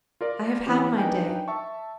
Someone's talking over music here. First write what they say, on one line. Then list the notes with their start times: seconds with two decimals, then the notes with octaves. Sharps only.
I have had my day.
0.21 F4 A#4 D5
0.66 E3 C4 C#4 G4
0.98 D4 D#4 A#4 B4 G5 G#5
1.48 E5 A5 C#6